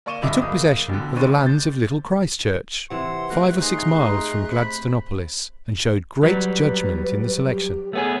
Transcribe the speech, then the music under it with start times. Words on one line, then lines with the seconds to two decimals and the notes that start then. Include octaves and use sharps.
He took possession of the lands of Little Christchurch, five or six miles from Gladstonopolis, and showed great judgment in the selection.
0.06 A#3 D5 C#6 D#7 E7 G7
0.22 F1 D2 G2 D#5 E5 D6
0.42 F#1 A#3 D#6
0.89 A1 B2 D3
1.16 A1 D3 C5 C#6 D#7
1.45 G6 A6
2.90 C3 E3 C4 F#5 C6
3.30 A3 F#4 A#4 F#5 F#6
3.60 D#4 G#4 A#5 C6
4.51 C5 B5
6.23 F#3 G3 B4
7.49 G4
7.93 A3 B3 G#4 C#5